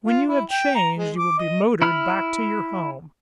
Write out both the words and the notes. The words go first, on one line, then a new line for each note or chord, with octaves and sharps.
When you have changed, you will be motored back to your home.
F4
E4
G5
A#5
G#3
D6
D#5
E4 B5 F6